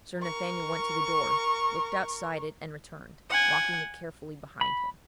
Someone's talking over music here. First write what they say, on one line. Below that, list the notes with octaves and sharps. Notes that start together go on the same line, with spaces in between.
Sir Nathaniel went to the door, looked outside it and returned, locking it carefully behind him.
A#4 C#6
F#5 G#5
B5